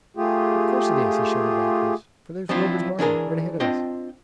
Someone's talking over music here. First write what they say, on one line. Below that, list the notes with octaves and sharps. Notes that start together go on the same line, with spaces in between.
"Of course it is!" he shouted back to us, "for there's Wilbur's barn--right ahead of us!"
A3 F4 G4 G#4
F3 F#3 C4 D4 E4 F4
E3 D4 G#4 A#4
C4 D4 F4 D#5 G5